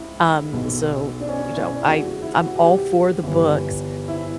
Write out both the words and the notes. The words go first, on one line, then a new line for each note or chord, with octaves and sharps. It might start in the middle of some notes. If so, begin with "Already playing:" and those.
um, so, you know, I I'm all for the books,
Already playing: C#2 E4
B1 B2
D4
C#4
D4
E4
D4
E4
E1 E2 C#3 E3 F#4
F#4
E4
F#4
G4
G1 G2 E3
E4